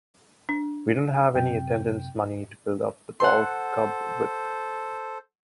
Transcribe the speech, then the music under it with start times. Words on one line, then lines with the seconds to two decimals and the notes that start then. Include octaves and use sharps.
We didn't have any attendance money to build up the ball cub with.
0.49 D4
1.35 F#2 C3 G5
3.20 A4 C5 F#5 C6